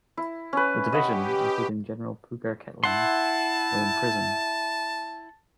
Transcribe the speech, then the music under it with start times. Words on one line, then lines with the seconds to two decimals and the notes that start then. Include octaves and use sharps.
The division, including General Prugar-Ketling, were imprisoned.
0.17 E4
0.53 C#4 B4
0.92 G4 D#5 F#5 B5
2.84 E4 F#5 A5 C6